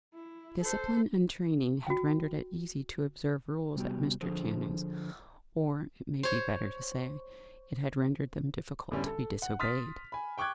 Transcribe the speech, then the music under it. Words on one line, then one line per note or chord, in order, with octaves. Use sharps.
Discipline and training had rendered it easy to observe rules at Mr. Channing's; or, it may be better to say, it had rendered them difficult to be disobeyed.
E4
A4 C5
F#4 G5
C3 G3 B3 F#4 G4
D3 F3 G#4 A4 C5
C5 C#5
A1 E2 D3 G3 C#4
A4
F#5
C6 D#6 F6 A6 B6
G#5 B5
G5 C#6 D6 F#6 G#6